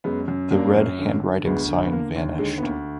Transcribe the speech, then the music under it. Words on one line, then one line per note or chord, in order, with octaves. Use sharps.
The red handwriting sign vanished.
F#2 G#3 B3
F#2
F#2 A#3 D4
F#2
D3
D3
D2 G#3 B3
D3
B3
D3 A#3
D#2
D3 G#3
B3
D2 A#3